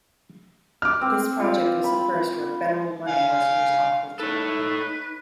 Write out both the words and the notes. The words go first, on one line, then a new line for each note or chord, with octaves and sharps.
This project was the first where Federal money was used on culture.
D6 F6
C4
F4 F5
B5
F5 G#5
D#4 A4 B4 C#5